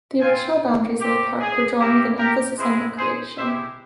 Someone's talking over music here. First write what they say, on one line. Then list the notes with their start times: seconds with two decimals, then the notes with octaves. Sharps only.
The original boundaries of the park were drawn with an emphasis on recreation.
0.21 C4 F4 F5 G#5
1.01 C4 G4
1.40 G#4
1.79 A#3 E4 G4
2.19 G4 A#4
2.58 G#3 C4 E4 G#4 C5
2.98 G#4 C5
3.37 G#3 E4 G4 C5 E5